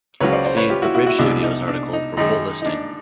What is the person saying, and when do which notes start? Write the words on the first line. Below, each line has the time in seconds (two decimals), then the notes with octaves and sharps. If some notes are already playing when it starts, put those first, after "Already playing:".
See The Bridge Studios article for full listing.
0.20 C#2 C#3 F#3 B4 C#5
0.33 C5 D5
0.45 C5 D5
0.57 B4 C#5
0.70 F4 G4
0.82 E4 F#4
0.94 E4 F#4
1.06 E4 F#4
1.19 C2 B2 G#3 D4 E4
1.43 D#4
1.68 D4
1.93 D#4
2.17 F#2 D#3 G#3 D#4
2.62 D#4
2.66 D4